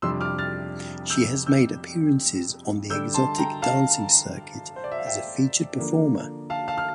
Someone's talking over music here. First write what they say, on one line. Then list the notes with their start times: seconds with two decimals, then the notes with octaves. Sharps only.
She has made appearances on the exotic dancing circuit as a featured performer.
0.02 F2 C3 G3 D4 C6 E6
0.21 D6 F6
0.38 F6 A6
1.10 E6 G6
1.46 E6 G6
2.90 D3 G3 D4 E6 G6
3.14 A5 C6
3.38 G5 A#5
3.62 F5 A5
4.76 C5
4.84 D5
4.92 E5
4.98 F5
5.06 E5 G5
5.78 D3 F3 A#3 D4
6.50 F5 A5
6.68 F5 A5
6.78 F6